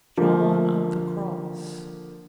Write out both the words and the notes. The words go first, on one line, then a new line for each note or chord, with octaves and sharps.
John of the Cross.
D3 F3 A#3